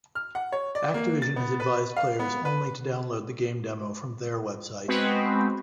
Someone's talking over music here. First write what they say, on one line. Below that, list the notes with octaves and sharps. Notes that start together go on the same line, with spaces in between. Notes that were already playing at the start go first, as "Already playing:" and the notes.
Activision has advised players only to download the game demo from their website.
F6
F#5
C#5
D5
A#3
A6
B3
B4
F5
B3
B4
G#3 B3 C4 F#4 B4